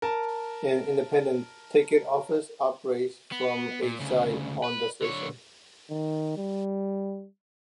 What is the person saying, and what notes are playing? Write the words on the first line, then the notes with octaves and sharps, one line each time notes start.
An independent ticket office operates from a site on the station.
A#4 A5
B3
A#2
D2 C#3
B4
D3 C#5
D#3
G3